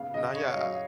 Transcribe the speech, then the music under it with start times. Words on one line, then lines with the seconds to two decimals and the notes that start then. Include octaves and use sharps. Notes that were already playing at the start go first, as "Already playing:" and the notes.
No, yeah
Already playing: C#3 B3 F5
0.14 C#3 D#5
0.35 C#3 C#5
0.50 F5
0.55 F#3 D#5